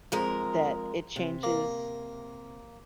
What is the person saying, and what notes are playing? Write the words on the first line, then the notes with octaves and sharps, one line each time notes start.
that it changes
F2 G#3 A#4
C3
A#3